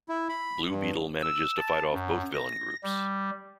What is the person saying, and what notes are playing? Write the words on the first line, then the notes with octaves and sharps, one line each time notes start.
Blue Beetle manages to fight off both villain groups.
E4
B5
G2
E6
A5
F#2
A#6
G3